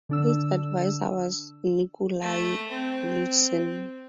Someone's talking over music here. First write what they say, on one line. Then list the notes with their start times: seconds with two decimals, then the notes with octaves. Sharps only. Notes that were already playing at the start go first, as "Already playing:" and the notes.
His advisor was Nikolai Luzin.
0.09 D3 D4 E6
2.21 A3
2.71 C4